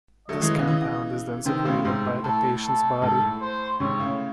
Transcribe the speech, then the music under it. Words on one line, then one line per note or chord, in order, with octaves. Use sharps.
This compound is then secreted by the patient's body.
F#3 A3 D#5
E3 G#3
C#3 E3
C#3 E3
C3 D#3 C5
A2 C#3
G#2 C3 C5
A2
A2 A4
A4
G#2 A4
A2
C5
G#2 C3 C#5
A2 C#3